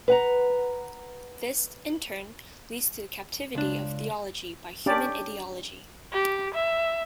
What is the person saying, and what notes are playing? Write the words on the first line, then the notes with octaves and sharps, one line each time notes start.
This, in turn, leads to the captivity of theology by human ideology.
B4 F#5 A#5
C#2 D4
C#4 D4 G4 D5
G4
E5